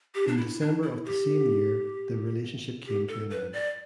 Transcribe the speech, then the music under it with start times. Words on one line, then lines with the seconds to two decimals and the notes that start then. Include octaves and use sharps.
In December of the same year the relationship came to an end.
0.15 G4
0.27 D4
0.37 E4
0.61 D4
0.83 E4
1.05 G4
2.86 G4
3.08 A4
3.30 B4
3.53 D5